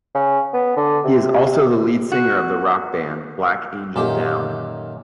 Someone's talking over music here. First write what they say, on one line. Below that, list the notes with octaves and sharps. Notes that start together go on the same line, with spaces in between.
He is also the lead singer of the Rock band Black Angel Down.
C#3
B3
D3
C3
F#4
F#2 A#2 D#3 G4 A4